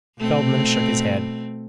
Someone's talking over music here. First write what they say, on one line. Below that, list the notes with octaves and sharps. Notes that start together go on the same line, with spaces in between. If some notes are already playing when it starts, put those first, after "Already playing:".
Feldman shook his head.
B2 A3 C4